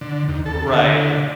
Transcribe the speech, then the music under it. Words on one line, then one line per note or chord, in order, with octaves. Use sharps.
Right, a
D3
D#2
A4
D3